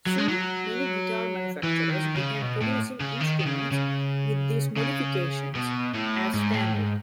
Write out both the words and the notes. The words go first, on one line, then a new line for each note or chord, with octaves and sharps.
Soon, many guitar manufacturers began producing instruments with these modifications as standard.
F#3
G#3
F#3
E3
D#3
C#3
B2
A2
C#3
D#3
D#3
C#3
C#3
C#3
B2
A2
G#2
A2
G#2